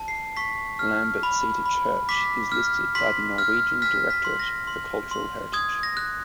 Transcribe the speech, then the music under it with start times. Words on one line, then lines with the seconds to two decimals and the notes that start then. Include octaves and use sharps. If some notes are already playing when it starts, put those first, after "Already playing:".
Lambertseter Church is listed by the Norwegian Directorate for Cultural Heritage.
Already playing: A5
0.08 C7
0.37 C#6 B6
0.79 F6
1.23 B5
1.66 B5
2.09 D6 B6
2.52 F6
2.95 C6 B6
3.38 F6
3.82 F6 B6
4.10 B6
4.25 C6
4.40 A#6
4.67 C6
5.11 C6
5.53 D#6 G#6
5.83 A#6
5.97 F#6